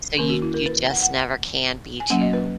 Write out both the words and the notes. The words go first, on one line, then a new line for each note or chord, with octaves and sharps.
So, you you just never can be too
D#3 A#3 C#4 A#4
F#4
E4
A#4
B4
F#5
F#5
G#5
F#3 A#3 C#4 F#5
D#5
B4